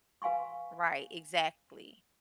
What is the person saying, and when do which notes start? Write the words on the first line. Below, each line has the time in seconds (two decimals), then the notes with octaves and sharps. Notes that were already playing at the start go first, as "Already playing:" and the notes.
right, exactly.
0.22 B4 F5 G#5 C6 C#6